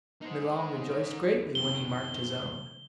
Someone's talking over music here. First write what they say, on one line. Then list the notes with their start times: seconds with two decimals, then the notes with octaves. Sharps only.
Milon rejoiced greatly when he marked his own.
0.22 D#4 C5
1.55 F#2 D#3 G7